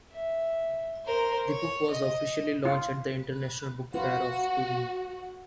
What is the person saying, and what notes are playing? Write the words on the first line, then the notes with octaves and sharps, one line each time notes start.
The book was officially launched at the International book fair of Turin.
E5
A#4 C5
C#5
D#5
F4
F4 F#4 B4